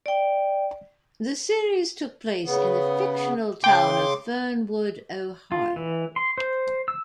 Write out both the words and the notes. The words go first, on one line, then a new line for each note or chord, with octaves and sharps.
The series took place in the fictional town of Fernwood, Ohio.
D5 G5
C#3 B3
C#3 G5 C6 D6
F4
E3
C6
C5
E6